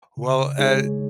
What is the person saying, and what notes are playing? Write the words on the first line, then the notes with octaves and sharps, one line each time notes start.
Well, a
C#3
G#3 D#4 G#4 C#5